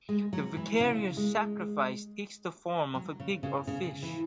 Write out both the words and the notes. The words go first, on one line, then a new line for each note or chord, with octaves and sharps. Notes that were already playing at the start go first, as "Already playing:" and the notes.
The vicarious sacrifice takes the form of a pig or fish.
G#3
F#3
E3
C#3
G#3
F#3
C#3
C#3
C#3
E3